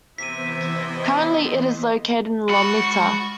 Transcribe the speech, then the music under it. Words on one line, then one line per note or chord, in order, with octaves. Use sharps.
Currently it is located in Lomita.
C3 E3 B3 E4 C5 E5 B6 D#7
D#5
G#3 F#4 B5 C#6